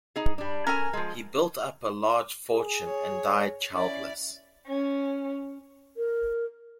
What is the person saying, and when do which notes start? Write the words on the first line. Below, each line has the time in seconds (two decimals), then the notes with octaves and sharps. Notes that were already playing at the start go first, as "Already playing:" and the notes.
He built up a large fortune and died childless.
0.16 D#4 G#4
0.38 G3 D4
0.67 C#4 A4 A#4 G#5
0.93 F3 G#3
2.52 G#4
2.85 C#5
3.72 C#4 E4 D5
4.67 C#4
5.97 A#4